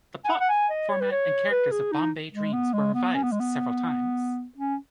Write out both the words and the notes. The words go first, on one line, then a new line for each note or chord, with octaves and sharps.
The plot, format and characters of "Bombay Dreams" were revised several times.
G#5
F#5
F#5
G#5
D#5
C#5
B4
C#5
B4
G#4
D#4
G#3
B3
G#3
B3
C#4
B3
G#3
B3
C#4